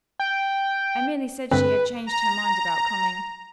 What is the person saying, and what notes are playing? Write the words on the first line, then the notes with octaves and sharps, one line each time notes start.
"I merely said she had changed her mind about coming."
G5
G2 D3 C4 B4
A#5